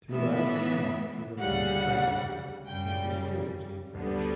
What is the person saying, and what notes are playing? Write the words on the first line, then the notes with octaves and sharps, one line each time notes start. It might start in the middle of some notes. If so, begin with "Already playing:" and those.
Throughout his life he remained a francophile and was fluent in French.
A2 E3 B3 E5
D2 C#3 G3 F#5
F#2 C#3 G3 G5
D2 D3 G3 B3